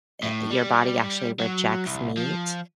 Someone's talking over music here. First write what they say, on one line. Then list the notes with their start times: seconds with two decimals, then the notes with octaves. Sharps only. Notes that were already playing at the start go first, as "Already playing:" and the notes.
uh, your body actually rejects meat.
0.23 A2
0.50 G3
1.40 F#3
1.86 C2
2.17 F3